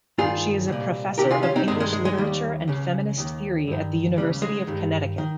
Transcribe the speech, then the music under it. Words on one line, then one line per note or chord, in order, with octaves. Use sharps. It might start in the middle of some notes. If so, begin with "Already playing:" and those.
She is professor of English literature and feminist theory at the University of Connecticut.
G2 D#3 F4 G#4
C2 A#2
C2 C3 D#3 G4 A#4
F4 G#4
C#4 F4
C4 D#4
G2 D#3 G#3 C4
G#3
G#3
G#3
D#2 D#3 G3
C#2 C#3
D#2 D#3
G2 D#3
D#2 C#3 G3
G#3
G2 D#3
D#3